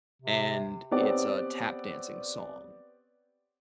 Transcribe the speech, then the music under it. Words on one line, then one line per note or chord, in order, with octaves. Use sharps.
and it's a tap dancing song,
C3
B3 C4 G4 C#5 D5